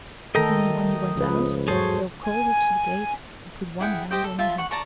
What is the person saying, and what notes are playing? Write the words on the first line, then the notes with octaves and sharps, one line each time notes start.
Only when he went out, Hale called her to the gate and put one hand on her head.
D#3 A3 A4 A#4 D#5 G5 A#5
C#2 F3 B4
E2 G#2 F#3 F#4 G#4 A4 C5 C#5
G#5
E4 G#4 F#5 G5
G4 C5 D#5 G5
A4
F4 E5 A5
F#5 C#6
D5 A5 A#5 C#6